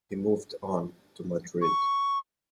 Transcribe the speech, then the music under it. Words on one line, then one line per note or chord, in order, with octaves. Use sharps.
He moved on to Madrid.
C#6